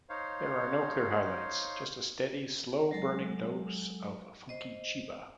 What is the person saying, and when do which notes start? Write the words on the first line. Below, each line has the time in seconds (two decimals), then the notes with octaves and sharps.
There are no clear highlights, just a steady, slow-burning dose of funky cheeba.
0.09 D#4 C5 C#5 F5
2.91 F#3 G#3 A4
4.49 C5 D#5